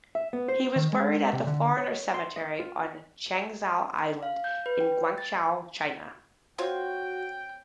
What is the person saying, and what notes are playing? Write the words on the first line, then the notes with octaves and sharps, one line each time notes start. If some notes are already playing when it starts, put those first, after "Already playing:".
He was buried at the foreigners' cemetery on Changzhou Island, in Guangzhou, China.
E5
B3
C5
D#3
G#3
C3
D3
C#5
C6
D#5
F4
F5
G6
B4
G5
A6
C4 F4 F#4 C#5 G5